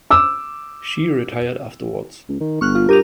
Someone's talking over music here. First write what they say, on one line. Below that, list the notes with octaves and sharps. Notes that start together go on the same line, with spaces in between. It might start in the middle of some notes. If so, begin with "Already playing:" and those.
She retired afterwards.
D6 E6
C#2
D#3
G1 C#6 F6 F#6
F4
G2 G4 A#4 D#7 F7